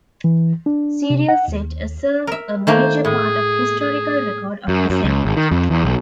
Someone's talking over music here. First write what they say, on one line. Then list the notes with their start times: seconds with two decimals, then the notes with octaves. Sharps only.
Serial Set, and serve a major part of the historical record of the Senate.
0.24 E3
0.66 D4
1.10 C3
1.29 F#5
1.48 D#2
2.27 A#4 E5
2.67 D#3 A3 A#3 C5
3.05 A2 G#4
3.80 G#4
4.68 F#2
4.90 F#2
5.04 C#2
5.25 G#1
5.37 D#3
5.52 F2
5.70 E2
5.84 B1